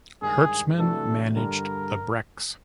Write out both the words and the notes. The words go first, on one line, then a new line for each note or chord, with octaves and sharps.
Hertzman managed the Brecks.
G2 D#3 G#3 G#4
C3 E3 A3 D4 F#4 A4
G2 D3 G3 A#4